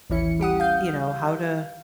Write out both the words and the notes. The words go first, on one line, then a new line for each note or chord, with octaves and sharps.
you know, how to
A1 D#2 E3 C#4 E4 C#7
G3 G4 F#5 D#6
F5 G6